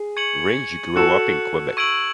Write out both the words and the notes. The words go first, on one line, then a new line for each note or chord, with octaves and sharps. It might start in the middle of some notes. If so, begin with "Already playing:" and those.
Ringe grew up in Quebec.
Already playing: G#4
C#6 G#6 C#7 F#7
F#4 A4 F#6 C#7 E7
C#6 E6 G#6 D7 F#7